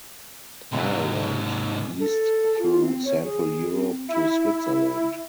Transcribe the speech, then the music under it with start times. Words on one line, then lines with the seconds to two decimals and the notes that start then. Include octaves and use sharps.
Ireland east through Central Europe to Switzerland.
0.72 G#2 C3
2.00 A4
2.59 F4
2.81 C4
3.04 C#5
3.23 G#4
3.73 C4
4.09 E4